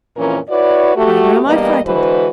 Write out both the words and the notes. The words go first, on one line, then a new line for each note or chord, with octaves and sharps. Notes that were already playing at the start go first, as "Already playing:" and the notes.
"Neither am I frightened."
F2 A#2 E3 C#4 A#4
E4 F#4 B4 C#5 D5
A3 F#4 G4
E2 G2 G3 A#3 B3 D#5
D3 E3 G#3 F#4 B4 C5